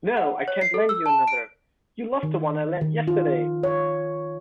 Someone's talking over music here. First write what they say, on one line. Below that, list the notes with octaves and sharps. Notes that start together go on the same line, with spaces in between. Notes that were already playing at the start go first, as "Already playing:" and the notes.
No, I can't lend you another. You lost the one I lent yesterday!
F#5
C#5
C7
A4
E6
A5
D7
D#3
D#3
F4
C#5